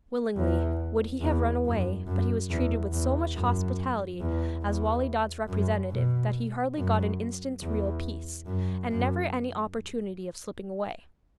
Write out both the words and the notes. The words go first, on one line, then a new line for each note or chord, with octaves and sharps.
Willingly would he have run away; but he was treated with so much hospitality as Wali Dad's representative, that he hardly got an instant's real peace, and never any opportunity of slipping away.
E2
E2
F#2
F#2
E2
E2
F#2
E2
E2
F#2
B2
F#2
E2
F#2
F#2